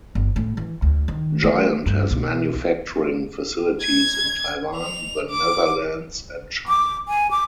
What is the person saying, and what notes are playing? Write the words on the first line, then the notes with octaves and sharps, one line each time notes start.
Giant has manufacturing facilities in Taiwan, the Netherlands, and China.
G1
A2
E3
D2
D#3
A3
G2
B1
G#6
F7
D6
D6
G#5
D6